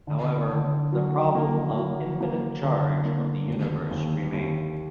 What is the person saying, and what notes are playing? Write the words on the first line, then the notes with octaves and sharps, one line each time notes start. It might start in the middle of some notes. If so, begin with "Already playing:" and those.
However, the problem of infinite charge of the universe remains.
D3
D3
F#3
A#3
F#3
A#3
D3
A#3
D#2
D#2
D#2